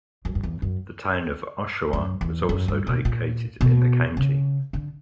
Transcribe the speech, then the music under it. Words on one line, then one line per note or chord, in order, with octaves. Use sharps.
The Town of Oshawa was also located in the county.
F#2
F#2
E2
F#2
F#2
E2
F#2
G2
B2
A#2
B2
C#3
D3